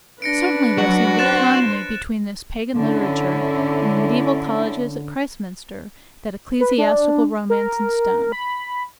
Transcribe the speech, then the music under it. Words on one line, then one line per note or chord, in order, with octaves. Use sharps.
Certainly there seemed little harmony between this pagan literature and the mediaeval colleges at Christminster, that ecclesiastical romance in stone.
D4 B4 A#6 C#7 D7
F#3 F#4
C5 F#6 A6 E7
D3 C#4 E4
B4
D4
A#4
B5